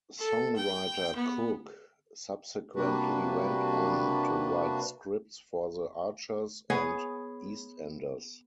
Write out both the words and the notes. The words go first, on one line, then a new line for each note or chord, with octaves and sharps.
Songwriter Cook subsequently went on to write scripts for "The Archers" and "EastEnders".
A4
G5
B3
C3 G3 A#3 D4 F#4 B4
B3 G#4 C#5